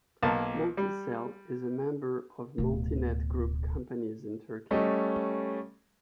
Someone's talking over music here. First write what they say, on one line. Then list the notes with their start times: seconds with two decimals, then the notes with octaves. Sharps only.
MultiCell is a member of Multinet Group Companies in Turkey.
0.22 B1 A#3 A5
0.77 G3
2.58 D1 B2
4.71 G3 A3 C#4 D#5